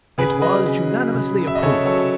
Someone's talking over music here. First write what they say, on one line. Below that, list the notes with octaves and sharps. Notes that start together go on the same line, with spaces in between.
It was unanimously approved.
C#3 G#4 B4
F#3 B4 D#5
C#3
F#3
C#3
F#3
E5
D#5
C#3 A4 C#5
F#3 A4 C#5